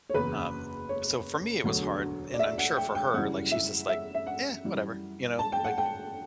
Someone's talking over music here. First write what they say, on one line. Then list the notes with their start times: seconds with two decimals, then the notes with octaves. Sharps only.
Um, so, for me, it was hard, and I'm sure for her, like, she's just like, "Yeah, whatever." You know, like,
0.10 C#5
0.14 F#1 E2 C#3 B4
0.89 C#5
1.64 E1 D2 D3 F#3 A3
2.34 D5
2.39 E5
2.58 F#5
2.77 G5
2.95 G5
3.14 F#2 C#3 E3 G3 F#5
3.52 E5
3.89 E5
4.15 E5
4.27 F#5
4.64 F#2 E3 G3
5.39 A5
5.52 G5
5.64 F#5
5.78 G5